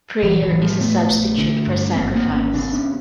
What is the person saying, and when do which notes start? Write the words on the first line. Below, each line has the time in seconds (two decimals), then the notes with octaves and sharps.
Prayer is a substitute for sacrifice.
0.23 A#1 E3 F#3
0.43 E3 F#3
0.52 A2
0.62 F3 G3
0.80 A2 A3 B3
1.10 A#1
1.38 D3
1.67 G2
1.95 G#1 A#3 C4
2.15 A#3 C4
2.25 G#1
2.35 B3 C#4
2.54 C#3 C4 D4
2.73 B3 C#4